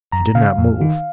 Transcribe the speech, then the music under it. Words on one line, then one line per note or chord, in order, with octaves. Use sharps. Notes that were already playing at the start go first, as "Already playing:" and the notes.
She did not move.
F#2 A#5
C#3 F5
F2
D#3